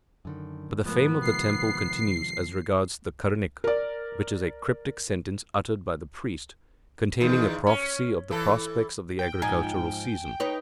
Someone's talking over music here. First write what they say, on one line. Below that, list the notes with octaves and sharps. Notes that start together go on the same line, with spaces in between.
But the fame of the temple continues as regards the Karanika, which is a cryptic sentence uttered by the priest, containing a prophecy of the prospects of the agricultural season.
F#2 D3 D#3
G#2 F3 A#3 B3
C3 D#3 G#3 C7
A#4 D5
E2 D#3
C#4
E3 A4
G5
G#2 F3 D#4 G#5
D#4 B4 C#5